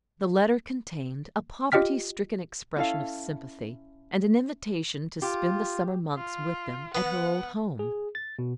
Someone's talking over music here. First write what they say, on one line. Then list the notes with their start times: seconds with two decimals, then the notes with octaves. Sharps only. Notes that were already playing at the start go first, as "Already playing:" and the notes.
The letter contained a poverty-stricken expression of sympathy, and an invitation to spend the summer months with them at her old home.
1.72 F4 G4 D#5 G5 F6 B6
2.76 C#4 E4 A4 F5
5.22 F4 G4
6.17 F4
6.95 B3 F#5
7.79 G#4
8.15 A6
8.39 B2